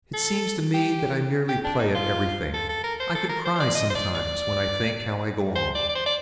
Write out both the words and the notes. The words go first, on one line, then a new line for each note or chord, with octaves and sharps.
"It seems to me that I merely play at everything. I could cry sometimes when I think how I go on."
A4
G4
G4
D4
D#4
F4
A4
A4
A#4
C5
A4
A#4
C5
C5
D5
D#5
C5
D5
D5
C5
D5
D5
C5
D5